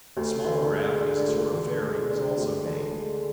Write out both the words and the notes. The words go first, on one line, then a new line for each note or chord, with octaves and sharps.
A smaller raft, as a sort of ferry, was also made.
D2
D3
G#3
D4
D2
D3
G#3
D4
D2
D3
G#3